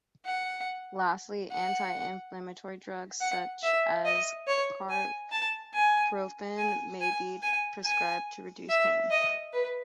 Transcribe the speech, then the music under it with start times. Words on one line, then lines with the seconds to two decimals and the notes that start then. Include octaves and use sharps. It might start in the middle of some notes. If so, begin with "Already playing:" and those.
Lastly, anti-inflammatory drugs such as carprofen may be prescribed to reduce pain.
0.25 F#5
1.52 F#5
3.21 F#5
3.63 E5
4.05 D#5
4.47 C#5
4.89 G#5
5.31 A5
5.74 G#5
6.58 G#5
7.01 G#5
7.42 G#5
7.84 G#5
8.69 E5
9.11 D#5
9.53 B4